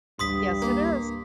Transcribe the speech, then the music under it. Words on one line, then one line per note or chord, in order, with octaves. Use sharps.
Yes, it is.
A1 D2 G2 G3 C6 D#6 B6
A#3